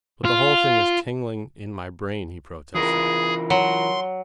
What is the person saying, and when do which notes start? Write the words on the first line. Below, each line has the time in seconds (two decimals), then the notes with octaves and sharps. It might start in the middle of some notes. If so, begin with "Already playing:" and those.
"But the whole thing is tingling in my brain," he protested.
0.25 F4
2.74 E3 F4 G#4 A#4
3.50 F#3 C6